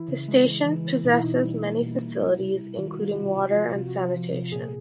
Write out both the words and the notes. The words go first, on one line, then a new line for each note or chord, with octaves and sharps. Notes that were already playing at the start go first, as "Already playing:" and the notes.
The station possesses many facilities including water and sanitation.
Already playing: E3 E4
C#3
G#3
E3
E3
E3
B2 D#4
E4
B2 D#4
G3
A#3
B2
B2
F4
G3 E4
C3
C3
D#3 F4
F#4
G3 F4
C3 F#4
F4
C3 F#4
F3 F4
F#4
C3 F4
F#4
C3
F4
F3
C3
A#2 G#4